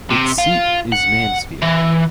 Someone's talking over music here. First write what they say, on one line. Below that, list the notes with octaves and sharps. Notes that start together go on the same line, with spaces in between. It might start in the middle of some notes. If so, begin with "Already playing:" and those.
Its seat is Mansfield.
C3
F4
F#5
E3